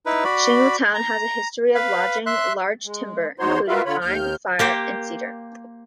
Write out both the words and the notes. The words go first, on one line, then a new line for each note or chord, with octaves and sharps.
Shingletown has a history of logging large timber, including pine, fir and cedar.
D#4 E4 B4
F#4 D5 B5
A#5
B4 F5 B5
E5 C6 F#6
G#3
E2 D#4 F#4 C5 C#5 C6
F4 F#4 A#4 B4 E5 F5
D3 F4 C#5 B5
D#2 F6 G6
A#3 G4 C5